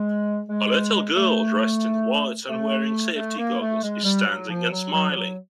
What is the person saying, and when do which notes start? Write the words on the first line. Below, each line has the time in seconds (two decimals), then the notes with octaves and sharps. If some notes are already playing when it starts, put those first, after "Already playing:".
A little girl, dressed in white and wearing safety goggles, is standing and smiling.
Already playing: G#3
0.49 G#3
1.16 A3
2.48 A3
3.15 A3
3.38 A#3
3.60 A3
3.82 G#3
4.04 G3
4.26 F#3
4.49 F3
4.71 F#3
4.93 F#3
5.10 F3
5.16 F#3